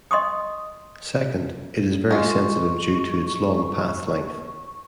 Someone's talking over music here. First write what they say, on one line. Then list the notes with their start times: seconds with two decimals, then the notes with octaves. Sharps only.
Second, it is very sensitive due to its long pathlength.
0.11 D#5 C6 C#6 D#6
2.11 G#3 F4 G#4 C#6